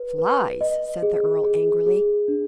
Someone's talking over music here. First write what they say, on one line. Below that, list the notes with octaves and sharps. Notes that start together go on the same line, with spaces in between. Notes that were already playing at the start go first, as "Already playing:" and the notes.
"Flies!" said the earl, angrily.
Already playing: B4
B4
D#5
G#4
G#4
G#4
D4